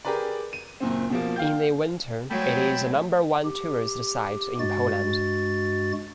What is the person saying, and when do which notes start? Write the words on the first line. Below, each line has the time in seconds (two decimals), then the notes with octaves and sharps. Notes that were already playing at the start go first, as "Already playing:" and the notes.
In the winter, it is the number one tourist site in Poland.
0.05 G4 G#4 A#4 B4 D5
0.53 D#7
0.80 F#1 A#2 C4
1.10 B2 F3 A#3
1.36 F5 G5 G6
2.30 F#3 G#3 A3 G5 A5 B5
3.45 G4
4.59 G2 G#3 F#4 A6